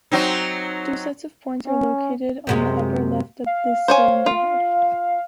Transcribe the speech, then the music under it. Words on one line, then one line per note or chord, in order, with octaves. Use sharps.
Two sets of points are located on the upper left of the cylinder head.
F#3 C4 D#4
C#4
F#2 C3 G#3
F5
C5 C#5 G#5
F4